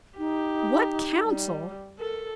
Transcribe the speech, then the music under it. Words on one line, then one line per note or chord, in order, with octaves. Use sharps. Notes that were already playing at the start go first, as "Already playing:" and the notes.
"What council?"
D#4 G4
G3
A4 A#4